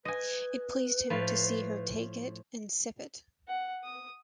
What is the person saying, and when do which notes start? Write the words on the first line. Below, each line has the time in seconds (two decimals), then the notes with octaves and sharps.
It pleased him to see her take it and sip it.
0.05 B4 D#5 G#5
1.10 A2 F3
3.47 F#5
3.83 D#6